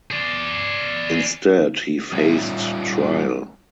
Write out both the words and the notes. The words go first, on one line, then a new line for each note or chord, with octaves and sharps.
Instead he faced trial.
G#4 D5
G3 C4 C#4 D#4 F4 E5